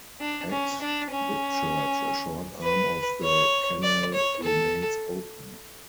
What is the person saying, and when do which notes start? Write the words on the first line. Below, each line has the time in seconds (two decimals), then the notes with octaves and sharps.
At Whitchurch a short arm of the canal remains open.
0.20 D4
0.51 C#4
0.81 D4
1.11 C#4
2.62 B4
3.23 C#5
3.83 D5
4.14 C#5
4.43 A4